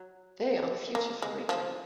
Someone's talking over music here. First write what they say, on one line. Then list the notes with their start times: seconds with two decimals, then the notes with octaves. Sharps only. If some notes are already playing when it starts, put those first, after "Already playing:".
They are the future for Wrigley.
Already playing: F#3
0.95 A#3
1.22 G#3
1.49 F3